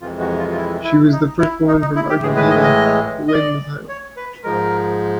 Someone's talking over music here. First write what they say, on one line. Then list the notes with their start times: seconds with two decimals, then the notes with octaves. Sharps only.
She was the first woman from Argentina to win the title.
0.01 F2 C3 E3 G#3 F4
0.20 F#4
0.38 F4
0.52 F4
0.57 E4
0.84 E4
1.12 D#4
1.40 E4
1.68 D#4
1.81 D#4
1.96 E4
2.09 G4
2.23 A2 E3 G#3 G#4
2.36 B4
2.51 D#5
2.64 D#5
3.28 D#5
3.33 D5
3.89 C#5
4.17 B4
4.44 G#2 F3 G#3 A#4